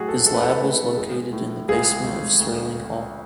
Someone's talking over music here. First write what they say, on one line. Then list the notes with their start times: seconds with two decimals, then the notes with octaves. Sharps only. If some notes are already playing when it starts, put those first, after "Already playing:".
His lab was located in the basement of Sterling Hall.
Already playing: A2 F#3 F#4 G#4
0.09 A4
0.26 G#3 A4
0.34 B4
0.42 A4
0.62 A2
0.97 G#3
1.33 A2
1.68 C#2 G#4
2.04 C#2
2.40 D2